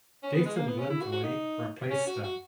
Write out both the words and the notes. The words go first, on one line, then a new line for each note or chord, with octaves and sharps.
Jason Lindley replaced him.
C#4
B3
G#3
A#3
B3
C#4
E4
F#4
F#4
D#4
C#4
F#4
F#4